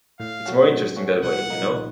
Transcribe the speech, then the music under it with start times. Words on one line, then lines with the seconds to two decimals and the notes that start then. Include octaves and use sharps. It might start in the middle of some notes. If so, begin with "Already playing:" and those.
It's more interesting that way, you know?
0.20 A2 F5
0.46 F#3 A3 C#4 F#4
0.72 A2
0.96 F#3 A3 C#4 F#4
1.22 C2 F#5
1.48 A#2 F3 A#3 D#4